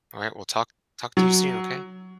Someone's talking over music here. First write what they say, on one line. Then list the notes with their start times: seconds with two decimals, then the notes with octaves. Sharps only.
Alright, well talk talk to you soon, okay?
1.17 F#3